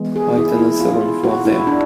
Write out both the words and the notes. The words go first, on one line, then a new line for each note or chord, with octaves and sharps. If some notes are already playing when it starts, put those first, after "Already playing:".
Right on the second floor there.
Already playing: E3 G#3 B3
G#4
E4
E4
F4
F#4
E4
D4